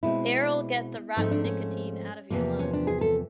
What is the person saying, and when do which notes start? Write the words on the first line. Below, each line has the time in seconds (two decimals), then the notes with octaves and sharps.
Air'll get the rotten nicotine out of your lungs.
0.03 B2 G#3 C4 E4
1.17 G#2 F3 A3 C4 D#4
1.31 D4
1.45 C#4
2.30 E2 C3 F3 A#3
2.59 C#4
2.73 D4
2.87 G#4
3.01 A4